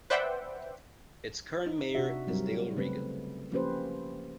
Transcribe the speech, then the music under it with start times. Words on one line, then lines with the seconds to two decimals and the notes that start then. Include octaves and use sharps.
Its current mayor is Dale Reagan.
0.10 B4 C5 D5 E5 F#5 G5
1.66 D#4
1.95 C3 D4 F#4 E5
2.27 F#3 G3 C4 A#4
2.77 C#3 A3 C4 B4
3.52 F3 A#3 C#4 G4 B4 C5